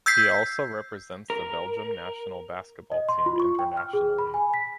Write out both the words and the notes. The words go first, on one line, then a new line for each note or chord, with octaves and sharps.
He also represents the Belgium national basketball team internationally.
E6 G6 G#6 B6 C7
A#4
D#5
C6
F4
C#6
G5
F6
G#4
B5
G#5
B6